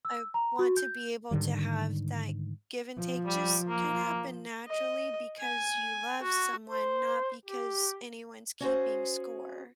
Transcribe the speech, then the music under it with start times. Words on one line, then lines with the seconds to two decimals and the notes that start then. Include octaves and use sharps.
I want to be able to have that give and take just kinda happen naturally, because you love someone, not because anyone's keeping score.
0.05 E6
0.34 A#5
0.59 F#4
0.77 G6
1.31 G#2 D3 D#3 G3
2.97 F3
3.26 G3
3.68 A#3
4.67 D#5
5.41 G#5
6.22 F#4
6.69 C5
7.46 G4
8.60 C#4 F#4 G#4 C5